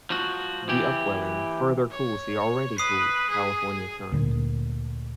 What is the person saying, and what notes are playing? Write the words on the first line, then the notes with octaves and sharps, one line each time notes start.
The upwelling further cools the already cool California Current.
F3 F#4
E3 G4
C#5
B4 D#6 C7
G#4
D2 A#2